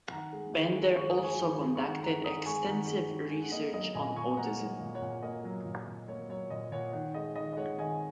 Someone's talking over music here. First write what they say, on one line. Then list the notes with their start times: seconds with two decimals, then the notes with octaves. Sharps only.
Bender also conducted extensive research on autism.
0.11 D#3 F#5 A#5
0.33 G#3
0.53 D#3
0.75 G#3
0.96 D#3 C#6
1.10 D#6
1.18 G#3
1.23 G#5 C#6
1.39 D#3
1.60 G#3
1.75 C#6
1.81 D#3 F#5 A#5
2.03 G#3 F#5 A#5
2.24 D#3 A#5 D#6
2.45 G#3 G#5 C#6
2.66 D#3 F#5 A#5
2.88 G#3
3.10 D#3
3.30 G#3
3.42 F#5
3.52 A#3 D#5
3.73 F#3 D#5
3.95 A#2 D#5 G#5
4.16 A#2 G#5 C#6
4.37 A#3 F#5 A#5
4.59 F#3
4.80 A#2
4.95 C#5 F#5
5.02 A#2
5.23 A#3 D#5
5.44 F#3
5.65 A#2
5.87 A#2
6.08 A#3 C#5
6.29 F#3 C#5
6.50 A#2 D#5
6.72 A#2 C#5 F#5
6.93 D#3 C#5 F#5
7.14 G#3 D#5
7.36 D#3 D#5
7.53 D#5
7.57 G#3 C#5 F#5
7.79 D#3 D#5 G#5